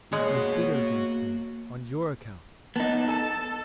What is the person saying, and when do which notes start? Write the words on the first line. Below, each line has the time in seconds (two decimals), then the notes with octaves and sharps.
He is bitter against them on your account.
0.13 G#3 A#3 F#4 C#5 B5
2.76 B3 D#4 A5
3.08 A4 A5